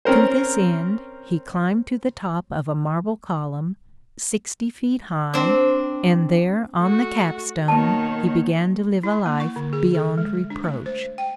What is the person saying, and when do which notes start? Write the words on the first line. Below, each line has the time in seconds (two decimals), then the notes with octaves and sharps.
To this end he climbed to the top of a marble column, sixty feet high, and there on the capstone he began to live a life beyond reproach.
0.05 C4 C#4 A#4 C5
5.34 C4 D4
6.80 A3 F#4
7.68 B2 D#3 A#3 C#5 A5
9.03 E4
9.26 A#3
9.40 C#6
9.56 D3
9.73 G#4
9.95 A4
10.18 G#3
10.50 D4
10.64 A3
10.86 C5
11.18 G5